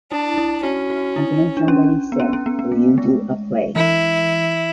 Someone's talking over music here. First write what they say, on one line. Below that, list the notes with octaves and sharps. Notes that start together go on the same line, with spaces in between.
And then somebody said, 'Will you do a play?
D4 E4
E4
C#4 F#4
F#4
E4
D4
C#4
B3
C#4
C#4
B3
B3
A3
G#3
E3 E4